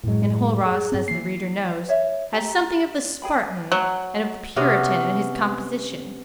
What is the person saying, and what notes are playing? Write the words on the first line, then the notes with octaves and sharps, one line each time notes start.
Enjolras, as the reader knows, had something of the Spartan and of the Puritan in his composition.
F#2 A2 F#3 G#3
G#4
G2 C4
E3 A#3 C7
C#5 E5
G4 A#5
G#4 G5 B5
F#3
C3 B3 C#4 F#4